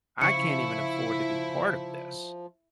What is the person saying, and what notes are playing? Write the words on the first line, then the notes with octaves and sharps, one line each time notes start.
I can't even afford to be part of this,
C#3 F3 E4 C#6 C#7